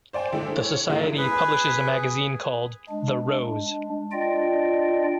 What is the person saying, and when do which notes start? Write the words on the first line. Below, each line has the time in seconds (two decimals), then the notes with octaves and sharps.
The society publishes a magazine called "The Rose".
0.13 C5 D5 G5 G#5
0.32 D3 G#3 E4
0.57 C#5
0.88 G#2 D3 G#3 A#3 E4
1.18 G#4 B4
2.89 G#3 D4
4.12 D4 F4 D5 D#5 G5